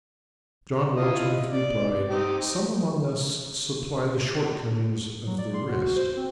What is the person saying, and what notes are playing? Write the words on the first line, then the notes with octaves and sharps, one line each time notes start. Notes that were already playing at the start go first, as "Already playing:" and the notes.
John Rokesmith replied, 'Some among us supply the short-comings of the rest.
E4 F4 D#5
D5
C4 D#4 G4
F#3
D5
C6
F#4
C5
C4